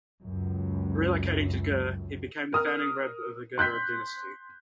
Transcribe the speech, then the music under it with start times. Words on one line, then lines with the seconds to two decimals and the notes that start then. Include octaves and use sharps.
Relocating to Ger, he became the founding rebbe of the Gerrer dynasty.
0.22 C#2 F#2
2.53 A#4 D#6 F6
3.58 C6 F#6 G6 B6